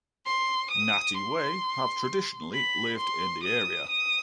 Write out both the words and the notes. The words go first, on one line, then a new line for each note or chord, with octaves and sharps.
Ngati Wai have traditionally lived in the area.
C6
D#6
C6
B5
C6
D#6
D#6